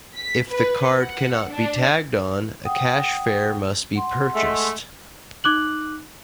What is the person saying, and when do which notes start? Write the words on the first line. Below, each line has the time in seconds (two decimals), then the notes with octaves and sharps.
If the card cannot be tagged on, a cash fare must be purchased.
0.15 B6
0.49 B4
1.01 F#5
1.51 D4
2.65 F#5 G5 D#6
3.95 F#5 C6
4.34 G#3 A3
5.44 D#4 D6 F#6 F#7